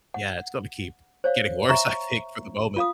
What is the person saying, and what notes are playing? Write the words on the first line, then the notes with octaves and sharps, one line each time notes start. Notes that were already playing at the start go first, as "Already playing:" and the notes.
yeah, it's gonna keep getting worse, I think, for the moment,
F#5
C5 C#5 F5
E5 A#5 C#6
F4 F5 D#6